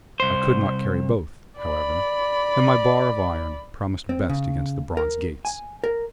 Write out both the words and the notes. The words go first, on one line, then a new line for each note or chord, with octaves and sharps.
I could not carry both, however, and my bar of iron promised best against the bronze gates.
C2 C5
D5 B5
C4
C#3
A#4
G#5
A#4